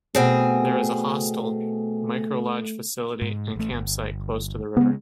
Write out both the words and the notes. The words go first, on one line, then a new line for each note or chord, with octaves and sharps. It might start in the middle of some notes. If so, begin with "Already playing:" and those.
There is a hostel, microlodge facility and campsite close to the river.
B2 A3 C4 G#4
G#2
A1 A3
G1
C#3 G#3 B3